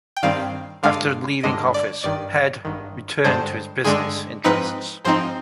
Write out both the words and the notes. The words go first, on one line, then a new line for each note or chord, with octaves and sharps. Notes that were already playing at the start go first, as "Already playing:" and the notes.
After leaving office Head returned to his business interests.
G5
G2 D#3 G3 C4 F5
G2 D3 G#3 D4 F5
G2 D3 G#3 D4 D#5
D5
G#1 G2 D#3 D5
G#1 G2 D#3
G2 D3 G#3 D4 C5
G2 D3 G#3 D4 G#4
G#2 F3 C4 D#4 B4
G#2 F3 C4 D#4 C5